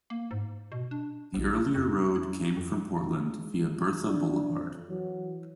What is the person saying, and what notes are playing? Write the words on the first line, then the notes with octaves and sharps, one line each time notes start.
The earlier road came from Portland via Bertha Blvd.
A#3
G#2
B2
D4
A#1
F2
E4
F2
G#3
D4
F2
E3 F#3